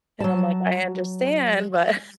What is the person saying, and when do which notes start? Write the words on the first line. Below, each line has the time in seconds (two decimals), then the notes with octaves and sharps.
And I'm like, "I understand, but"
0.20 F#3 A5